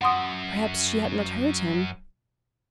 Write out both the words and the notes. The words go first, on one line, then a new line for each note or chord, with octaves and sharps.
Perhaps she had not heard him.
F#2 F#5 C6 D#6